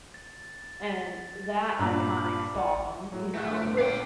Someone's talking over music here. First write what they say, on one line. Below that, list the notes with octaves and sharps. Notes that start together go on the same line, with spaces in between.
and that iconic song, you know, which
A6
G2 A#2 B5 D6
G#1 D5 F#5
A2 F#3
A3 G#4 F#6
D4 A#4
G1 D7
A#1 C#5 F5 G5 D6